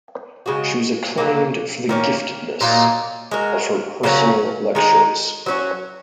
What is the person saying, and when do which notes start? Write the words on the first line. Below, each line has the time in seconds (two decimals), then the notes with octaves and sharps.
She was acclaimed for the giftedness of her personal lectures.
0.46 C#3 G#3 F#4
1.18 C#3 F#3 A#3
1.89 D#3 A#3 C#4
2.60 A#2 F#3 A#3 D#4
3.31 G#3 F#4 A#4
4.03 C#3 F#3 A#3 C#4
4.75 D#3 G#3 D#4
5.46 F#3 C#4 F#4